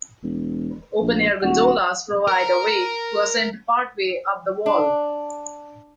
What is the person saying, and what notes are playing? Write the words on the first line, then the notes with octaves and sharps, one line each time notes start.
Open Air Gondolas provide a way to ascend partway up the wall.
E1
A#1
D#1 F#4
A#4 A#5
D4